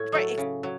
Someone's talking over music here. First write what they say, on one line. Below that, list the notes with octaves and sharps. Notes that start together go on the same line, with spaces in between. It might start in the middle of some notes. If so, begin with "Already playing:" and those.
Right. It's
Already playing: A2 C#5
F#3 A3
C#3
F#3